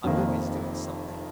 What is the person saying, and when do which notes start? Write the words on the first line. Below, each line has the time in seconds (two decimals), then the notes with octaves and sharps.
I'm always doing something.
0.04 F1 F2 D#3 A#3